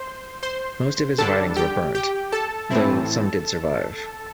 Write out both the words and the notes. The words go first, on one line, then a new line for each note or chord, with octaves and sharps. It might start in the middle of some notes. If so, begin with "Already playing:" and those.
Most of his writings were burned, though some did survive.
Already playing: C5 C6
C5 C6
D3 G3 D4 A4 A5
G4 G5
G4 G5
A4 A5
A2 E3 C4 E4